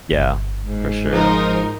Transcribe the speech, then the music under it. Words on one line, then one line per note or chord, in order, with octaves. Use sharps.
Yeah, for sure.
G1
G#2
F3 D#4 A#4 C5